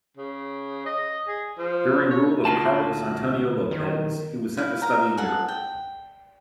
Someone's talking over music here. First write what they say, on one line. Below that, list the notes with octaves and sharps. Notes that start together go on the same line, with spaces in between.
During rule of Carlos Antonio Lopez he was sent to study in Europe.
C#3
D#5
G#4
F3
C#5
D2 A#2 C#4 F4 F#4 A5
D#3
E4 F5
F5 A#5
G#4 A4 F#5 A5
G5